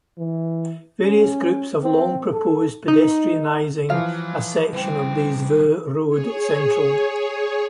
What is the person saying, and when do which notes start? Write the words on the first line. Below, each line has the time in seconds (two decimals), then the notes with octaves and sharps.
Various groups have long proposed pedestrianising a section of Des Voeux Road Central.
0.18 E3
1.03 C#4
1.83 C4
2.33 A4
2.88 D#4
3.90 E3 F3 C#5 F5 A#5
4.73 C#3 G3 C4
6.09 G#4 C#5